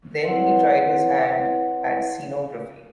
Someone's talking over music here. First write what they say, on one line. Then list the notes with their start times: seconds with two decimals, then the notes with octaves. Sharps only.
Then he tried his hand at scenography.
0.25 C4 E4 B4 C#5 F#5 C6